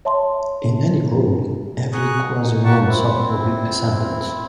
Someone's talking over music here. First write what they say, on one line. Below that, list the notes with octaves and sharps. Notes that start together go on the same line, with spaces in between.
In any group, every quasinormal subgroup is ascendant.
C#5 E5 A5 C6
G#4 A#5 C#6 D#6 F#6
D#4
A#3 G4 A#4 F#5 A5 C#6
C4 E4